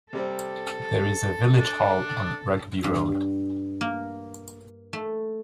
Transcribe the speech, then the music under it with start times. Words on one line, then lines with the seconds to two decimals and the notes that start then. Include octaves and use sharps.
There is a village hall on Rugby Road.
0.13 C3 G3 C4 A4
1.58 D4
2.84 G2
3.81 A#3
4.93 A3